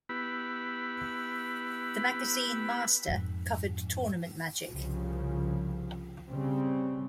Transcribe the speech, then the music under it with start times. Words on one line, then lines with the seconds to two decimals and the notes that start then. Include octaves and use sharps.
The magazine "Mastyr", covered tournament Magic.
0.09 B3 E4 G4 B4 B5
3.08 F2 G#2
4.70 C2 C#3 F3
6.29 C#3 G3 C4